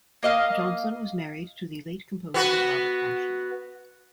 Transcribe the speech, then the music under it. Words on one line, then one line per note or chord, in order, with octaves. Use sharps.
Johnson was married to the late composer Robert Ashley.
A#3 D#5 F5
B3 F#4 B4